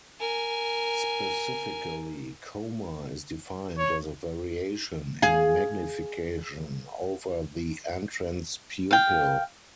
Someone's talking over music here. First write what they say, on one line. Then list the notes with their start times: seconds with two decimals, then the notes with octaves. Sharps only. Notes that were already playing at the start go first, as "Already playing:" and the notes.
Specifically, coma is defined as a variation in magnification over the entrance pupil.
0.20 A#4 G#5
3.78 C#5
5.22 G#4 F5
8.91 F5 G5